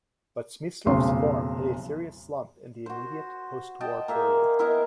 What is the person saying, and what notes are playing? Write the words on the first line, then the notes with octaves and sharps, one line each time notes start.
But Smyslov's form hit a serious slump in the immediate post-war period.
F1 B1 C#3 C6
F#4 C5
D#5 G5 A5
A#3 G#4 E5
B3 E4 A#4 D#5